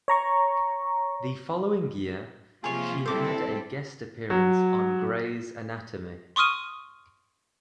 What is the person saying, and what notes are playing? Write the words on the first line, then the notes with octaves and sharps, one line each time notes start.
The following year, she had a guest appearance on "Grey's Anatomy".
C#5 A#5 C#6
C3 F3 A#3 F4 G#4 C#5
G3 C4 E4 A4 C5 D6
F#3
C6 C#6 D#6 F6 D#7